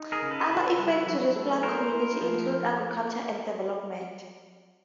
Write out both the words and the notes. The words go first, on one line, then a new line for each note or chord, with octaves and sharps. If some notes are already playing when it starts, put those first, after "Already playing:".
Other effects to this plant community include agriculture and development.
Already playing: D#4
G#4 A#4
C#3
A4 B4
E4
G3
F#3
A3
B3 A#4 C5
E4
F3